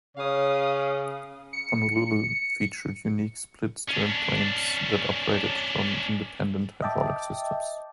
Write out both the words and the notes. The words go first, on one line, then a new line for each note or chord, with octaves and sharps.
"Honolulu" featured unique split stern planes that operated from independent hydraulic systems.
C#3 C#5 F5 D#6
C#7
C#4 D4
D#5 E5 G5 A5 D6